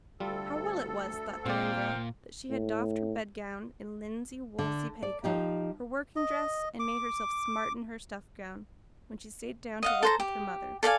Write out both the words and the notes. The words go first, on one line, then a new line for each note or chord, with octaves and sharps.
How well it was, thought the young girl, that she had doffed her bed-gown and linsey-woolsey petticoat, her working-dress, and made herself smart in her stuff gown, when she sate down to work with her mother.
D2 G3 F4 A4
A#2 C4 C5 D5 F5 G5
A2
D3
D5
F3 D#4 G4
D#5
D6
D#5 F5 F#5
A4 C5 A#5
G4
A4 D5 F5 G#5